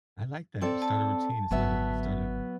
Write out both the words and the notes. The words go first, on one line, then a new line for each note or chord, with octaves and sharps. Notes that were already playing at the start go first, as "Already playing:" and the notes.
I like that. Start a routine. It started it started
C4 A4 D5
A5
G#1 D3 F#3 B3 E5